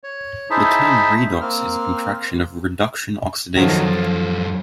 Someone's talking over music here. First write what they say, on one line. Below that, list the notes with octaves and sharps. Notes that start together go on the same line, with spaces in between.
The term "redox" is a contraction of "reduction-oxidation".
C#5
D#4 E4 G#4 C5 E5 A5
A#3 C4 F6
F#2 D#3 F3 F#3 A4
F3